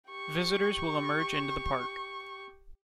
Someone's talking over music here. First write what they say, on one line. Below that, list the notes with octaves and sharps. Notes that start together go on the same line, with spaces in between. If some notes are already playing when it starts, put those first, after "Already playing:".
Visitors will emerge into the Park.
G4 C#6